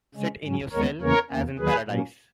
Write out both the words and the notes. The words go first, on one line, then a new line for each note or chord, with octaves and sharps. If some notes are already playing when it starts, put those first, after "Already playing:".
Sit in your cell as in paradise.
C#3 G#3 C#4
G#2 F#3 C#4
D#2 D#3 G#3 B3 A#4 C#5
E2 C#3 E3 A#3 C#4 A#4 C#5
E2 D#3 A#3 C#4
D#2 D#3 F#3 G#4 B4
A#2 F#3 A#3 C#4